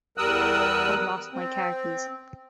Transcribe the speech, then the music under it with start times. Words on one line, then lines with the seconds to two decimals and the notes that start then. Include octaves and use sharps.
I've lost my car keys.
0.18 E2 G3 A#4 D#6 E6 F#6
1.33 C4